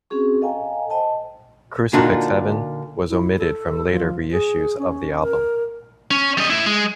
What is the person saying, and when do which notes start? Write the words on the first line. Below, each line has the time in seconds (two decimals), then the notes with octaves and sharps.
"Crucifix Heaven" was omitted from later reissues of the album.
0.10 C4 C#4 F#4 G#4 C#6
0.42 A4 D#5 F5 G5 G#5 A#5
0.90 C5 D#5 G5 A5
1.93 A#2 D3 D4 D#4 F4 F#4
3.10 E4
3.38 A4
3.91 F3
4.31 G#4
4.79 C#4
5.22 A#4
6.11 C#4
6.38 G3 D#5
6.50 A3 E4
6.66 G#3